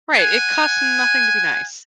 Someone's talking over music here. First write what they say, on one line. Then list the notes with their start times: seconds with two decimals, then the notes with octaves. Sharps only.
Right, it cost nothing to be nice.
0.18 F#5 G#5